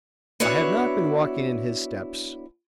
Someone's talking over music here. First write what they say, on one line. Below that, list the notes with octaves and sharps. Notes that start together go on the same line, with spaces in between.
I have not been walking in His steps.
B3 D4 E4 F#4 C#5